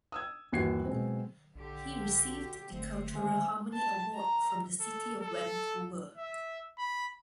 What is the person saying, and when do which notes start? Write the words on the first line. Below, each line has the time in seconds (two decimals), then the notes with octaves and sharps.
He received the Cultural Harmony Award from the City of Vancouver.
0.12 D#6 E6 G#6
0.52 G1 D#2 E3 F#4 G#6 C7
0.85 B2 G#3 C4
1.55 A#1 D3 G4
2.26 F#4
2.72 G1 D3 A3 C4
3.14 D#3 C5 E5 G#5
3.74 A5
4.15 A#5
4.80 A4
5.22 A4
6.17 E5
6.78 B5